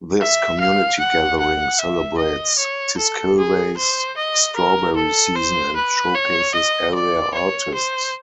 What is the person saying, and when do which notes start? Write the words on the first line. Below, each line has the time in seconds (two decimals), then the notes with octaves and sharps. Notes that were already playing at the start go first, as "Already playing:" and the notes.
This community gathering celebrates Tiskilwa's strawberry season and showcases area artists.
0.20 E5
0.60 F5
0.99 F#5
1.40 F#5
1.79 E5
2.18 D#5
2.58 C#5
2.97 A4
3.38 G#4
3.77 C5
4.17 D#5
4.56 A#4
4.96 A4
5.35 C5
5.76 B4
6.15 C#5
6.54 D#5
6.94 D5
7.34 C#5
7.74 C5